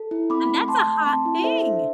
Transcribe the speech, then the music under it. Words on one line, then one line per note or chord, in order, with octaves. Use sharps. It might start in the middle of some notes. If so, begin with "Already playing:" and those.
and that's a hot thing!
Already playing: A4
E4
C4 B5 D6
A3
D6
A3 A5 C6
A3
C4 A5 C6
E4
A4 C5 E5
D4